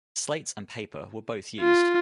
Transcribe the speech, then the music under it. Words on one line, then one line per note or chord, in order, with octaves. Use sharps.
Slates and paper were both used.
F4